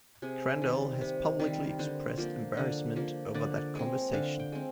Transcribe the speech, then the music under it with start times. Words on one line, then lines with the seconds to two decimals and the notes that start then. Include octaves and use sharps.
Crandall has publicly expressed embarrassment over that conversation.
0.22 C3 G#4
0.62 D#3 G3 C4
1.01 C3
1.39 D#3 G3 C4
1.79 D3 C5
2.17 F3 A#3
2.57 D3
2.96 F3 A#3
3.34 D3 D5
3.75 G#3 C4
4.13 D3 F5
4.40 G5
4.52 G#3 C4